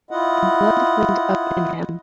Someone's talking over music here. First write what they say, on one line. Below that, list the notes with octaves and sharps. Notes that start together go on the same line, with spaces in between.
The blood flamed up in him.
E4 F4 D#5 F#5